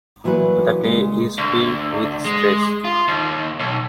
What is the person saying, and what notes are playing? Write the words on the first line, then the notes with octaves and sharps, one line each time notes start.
The day is filled with stress.
A#2 E3 F#3 F#4 B4
A#2 C#3 G#3
D2
G#3
F4
D#2
B1